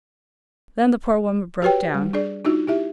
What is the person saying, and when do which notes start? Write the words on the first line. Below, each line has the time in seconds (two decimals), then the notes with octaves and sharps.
Then the poor woman broke down.
1.62 F#4 G4 B4 C#5 G5
1.95 G3
2.13 D4 G#4 D5
2.45 D4 D#4 F4 F#4
2.67 E4 G4 E5